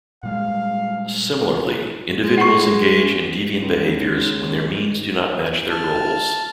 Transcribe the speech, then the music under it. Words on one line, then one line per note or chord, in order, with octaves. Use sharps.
Similarly, individuals engage in deviant behaviors when their means do not match their goals.
A#2 G3 G#3 F5
G#3
F#5 C#6
C#2
A5 F6